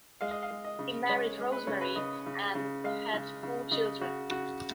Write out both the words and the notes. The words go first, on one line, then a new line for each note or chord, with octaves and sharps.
He married Rosemary and had four children.
G#3 F5
D#5
F5
G#3
D#5
C#3
G#3 C#5
G#3
B4
C#3 C#5
B4
C#3 D#5
C#3
C#3
G#3 F5
C#3
C#3
C#3 D#5
C#3 F#4
C#3 F#4